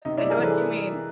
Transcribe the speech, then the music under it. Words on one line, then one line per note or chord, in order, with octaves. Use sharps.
I know what you mean,
C3 D#4
D4 E4
G3
G#4 A#4
E3 A4 B4